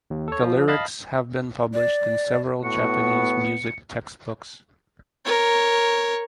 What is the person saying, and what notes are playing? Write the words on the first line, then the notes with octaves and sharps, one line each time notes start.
The lyrics have been published in several Japanese music textbooks.
D#2
A4 C#5
F3
D#5 F5 A5 B5
D5
A2 B3 F#4 C#7
A#4 C#5